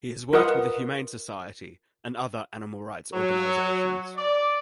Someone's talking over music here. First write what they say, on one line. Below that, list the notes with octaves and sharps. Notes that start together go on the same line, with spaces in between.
He has worked with The Humane Society and other animal rights organizations.
F4 A#4 B4 D#5 F#5 D#6
F#3
D5